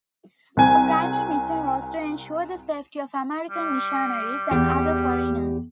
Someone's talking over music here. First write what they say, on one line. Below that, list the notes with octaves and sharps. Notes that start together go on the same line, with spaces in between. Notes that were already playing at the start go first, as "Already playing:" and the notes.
Her primary mission was to ensure the safety of American missionaries and other foreigners.
C2 G#5
G3
E2 G4